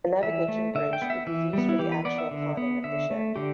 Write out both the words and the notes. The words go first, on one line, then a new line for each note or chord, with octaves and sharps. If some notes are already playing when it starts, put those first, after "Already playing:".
A navigation bridge would be used for the actual conning of the ship.
E3 E5
A3
D3 E5
G5
B3
E5
E3 E5
G3 B3
E4
E3 G4
B4
B3 D5
E5
D3
B3
D3 E5
A3
D3 G4